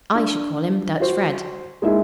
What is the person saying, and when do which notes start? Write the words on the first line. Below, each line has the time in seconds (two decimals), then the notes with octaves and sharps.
"I should call him Dutch Fred."
0.15 D4
1.00 F#4 C5
1.82 G#3 A#3 D#4 E4 G#4 E5